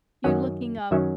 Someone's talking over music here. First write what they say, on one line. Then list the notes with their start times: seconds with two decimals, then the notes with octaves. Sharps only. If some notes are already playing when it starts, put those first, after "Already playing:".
you're looking up
0.24 F#2 D#3 F#3 C#4 F#5
0.91 F#2 D#3 F#3 C#4 E5